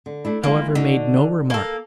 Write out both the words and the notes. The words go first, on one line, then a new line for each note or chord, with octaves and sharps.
I however made no remark.
D3
A3 D4 E4
E3 G#3 A#3 F4
D3 D#4 F#4
A#3 A4